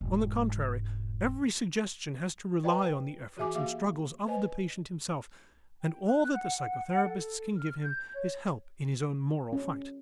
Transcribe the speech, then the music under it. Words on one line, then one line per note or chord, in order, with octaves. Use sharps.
On the contrary, every suggestion has to rely on the efforts and struggles of the patient himself and all that the psychotherapists can give him is help in his own moral fight.
E1 G#2
B4 D5 D#5 G5 A#5
E3 F#4 G#4 E5 G#5 D6
A#3 F#4 G4 E5 F5 D6
B4 C5 D#5 G#5
G5
F#6
F#5
F#5
A4
F6
G6
C#5
C#4